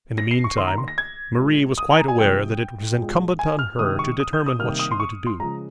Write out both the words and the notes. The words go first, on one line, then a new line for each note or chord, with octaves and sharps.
In the mean time Marie was quite aware that it was incumbent on her to determine what she would do.
A#6
C7
C#6
D#3 A#3 C6
A#5
C6
A#6
G#6
A#2 G#3
D#6
G#5
A#5
G#5
C3 F3 G#3 G5
A#2 G#3
G#5
F6
C3 D#3 G#3 D#6
C#6
D#6
G6
D#6
C3 D#3 G3 A#3 F6
D#6
C6
C#6
C6
C#3 F3 G#3 A#5